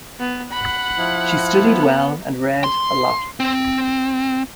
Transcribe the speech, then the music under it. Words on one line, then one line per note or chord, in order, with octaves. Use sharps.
She studied well and read a lot.
B3
F#5 B5
F3 E4
B3
C6
C4